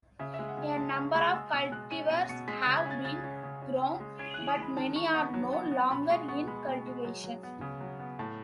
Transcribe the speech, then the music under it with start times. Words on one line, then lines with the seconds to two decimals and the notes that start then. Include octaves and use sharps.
A number of cultivars have been grown but many are no longer in cultivation.
0.19 C#3 E5
0.34 E5
0.39 G#3
0.49 F#5
0.57 C#3 G#5
0.76 G#3 A5
0.95 C#3 C#6
1.15 G#3 C#6
1.33 G#3 E6
1.52 B2 E6
1.72 G#3 F#6
1.91 C#4 D#7
2.10 B2 D#7
2.29 B2 C#7
2.48 G#3 B6
2.62 F#6
2.66 C#3
2.77 G#6
2.86 C#4 A6
3.05 C#3 A6
3.24 C#4
3.43 C#3
3.62 C#4
3.82 C#4
4.00 G#3
4.19 C#4 G#6
4.34 F#6
4.38 E3
4.48 D#6
4.57 G#3
4.62 B5
4.77 D#3 A5
4.95 D#3 C#6
5.14 B3 C#6
5.34 F#3
5.53 B3
5.71 B3
5.90 B2 B5
6.10 G#3 C#6
6.28 B3 C#6
6.47 G#3 B5
6.67 B2
6.86 G#3
7.05 F#3
7.24 F#3
7.43 B3
7.61 C#3
7.81 F#3
8.00 B3
8.19 A2 A5